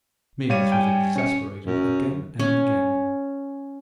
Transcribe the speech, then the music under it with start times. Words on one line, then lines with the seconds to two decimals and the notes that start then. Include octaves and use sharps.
Meares was exasperated again and again.
0.50 G3 C#5 F5 D#7
0.72 G5 G#5
1.16 C#4 C#7
1.66 F#2
2.39 C#4